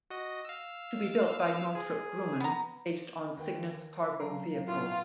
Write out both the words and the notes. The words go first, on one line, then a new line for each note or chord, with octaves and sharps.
To be built by Northrop Grumman based on Cygnus cargo vehicle.
F#4 D#5
F5 E6
G#4
B3 A#5
D#2 B4 G5
F#3 F5 A#5
A2 C#3 B3 F4